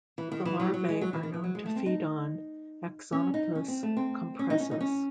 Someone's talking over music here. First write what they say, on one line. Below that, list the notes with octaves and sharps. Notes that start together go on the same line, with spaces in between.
The larvae are known to feed on "Axonopus compressus".
E3
D#3
E3
F#3
F#3
G#3
F#3
E3
D#3
E3
F#3
G#3
A3
C4
D#4
C#4
D#4
C#4
C4
A3
C4
C#4
D#4
C#4
D#4
C#4